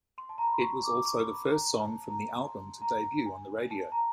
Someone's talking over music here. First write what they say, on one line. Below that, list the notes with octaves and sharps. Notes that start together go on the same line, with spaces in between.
It was also the first song from the album to debut on the radio.
C6
A5
A#5
B5
C6
C#6
D6
C#6
B5
A#5
A5
A#5
C6
A#5
G#5
A5
A#5